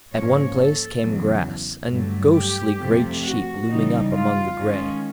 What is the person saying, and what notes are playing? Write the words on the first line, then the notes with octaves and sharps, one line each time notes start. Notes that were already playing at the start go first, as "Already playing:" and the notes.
At one place came grass, and ghostly great sheep looming up among the gray.
G#2 F3 A#3 C#4 C#5
A4
E2 C#3 F#3
G2 D3 F#3 A3
G4
F2 C3 F3 A3
F#4
C#3 E3 G3 D#4
F4
D#3 G#3 C#4